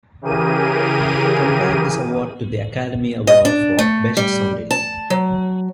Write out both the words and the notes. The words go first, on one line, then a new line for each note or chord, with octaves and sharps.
Compare this award to the Academy Award for Best Sound Editing.
C#3 E3 G4 G#4 A#4 D#7
D#5
D4
A3
G3
A5
F#3